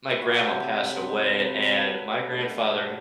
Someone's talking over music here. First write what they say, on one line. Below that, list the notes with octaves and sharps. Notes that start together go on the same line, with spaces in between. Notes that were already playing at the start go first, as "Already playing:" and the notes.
my grandma passed away, and my grandfather,
E4
F#4
G4
A4
C3 F#3 C4 B4
C5
A4
C3 F#3 C4 B4
C5
B4
A4
B2 A3 D4 G4